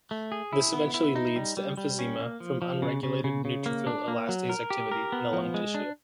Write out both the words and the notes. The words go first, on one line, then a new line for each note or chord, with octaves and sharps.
This eventually leads to emphysema from unregulated neutrophil elastase activity in the lung tissue.
A3
G#4
E4
B3
E4
D#4
G3
G3
G3
C#4
A#3
F3
F3
C#3
C#3
C#3
C#3
A#3
D4
A#3
F#3
A#4
G4
A#4
B3
F3
G#3
D4